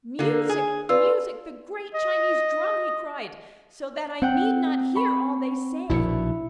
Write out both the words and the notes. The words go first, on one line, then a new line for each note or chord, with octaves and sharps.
"Music! music! the great Chinese drum!" he cried, "so that I need not hear all they say!"
D3 A#3
G#4 G#5
F4 B4 D5 E6
D#5
C4 F#5 G5 F#6
B5 C#6
A#1 B2 E4 C#7